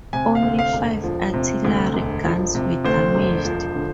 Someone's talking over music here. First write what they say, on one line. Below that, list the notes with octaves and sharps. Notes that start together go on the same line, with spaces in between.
Only five artillery guns were damaged.
C3 G#5
F5
D2
F5
E1
F3
C3
D2
E1
F3
C3
D2 C5
E1
F3
D3